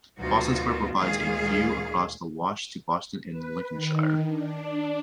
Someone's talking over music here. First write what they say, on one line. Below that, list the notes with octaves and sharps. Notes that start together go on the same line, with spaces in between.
Boston Square provides a view across the Wash to Boston in Lincolnshire.
D2 B2 F#3 D#4 F4 F#4
D2 A#2 D#3 G#3 G#4 F5
B4
D#3
D4